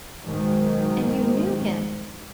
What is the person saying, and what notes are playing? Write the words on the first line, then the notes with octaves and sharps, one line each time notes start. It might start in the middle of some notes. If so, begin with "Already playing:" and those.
And YOU KNEW HIM.
B1 G#2 D#3 G#3